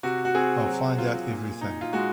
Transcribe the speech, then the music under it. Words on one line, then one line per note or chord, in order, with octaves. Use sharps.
I'll find out everything.
C3 F#4
F#4
C4 G#4
F#3
F4
A#2
D#4
F4
G#3 F#4